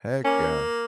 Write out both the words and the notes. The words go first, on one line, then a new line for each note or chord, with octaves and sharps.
Heck yeah.
A#3 C#4